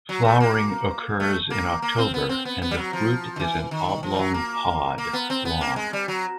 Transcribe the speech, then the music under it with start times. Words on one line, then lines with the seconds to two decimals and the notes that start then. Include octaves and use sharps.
Flowering occurs in October and the fruit is an oblong pod long.
0.09 F#3
0.25 A3
0.40 A#3
1.20 A3
1.50 A#3
1.82 A#3
1.98 C4
2.14 B3
2.29 C4
2.45 B3
2.62 B3
2.71 G3
2.77 F#3
2.93 F3
3.36 D#3
3.40 E3
3.71 D#3
4.03 F3
4.14 G3
4.19 F#3
4.34 A#3
4.98 A#3
5.13 B3
5.30 C4
5.45 B3
5.61 A#3
5.76 G#3
5.93 G3
6.08 F#3